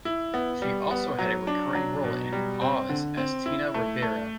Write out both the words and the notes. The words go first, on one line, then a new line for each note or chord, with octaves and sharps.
She also had a recurring role in "Oz" as Tina Rivera.
E4
B3
G3
B3
F#3
D4
F#3
B2
G3
C4
D3
C4
E4
A3
A3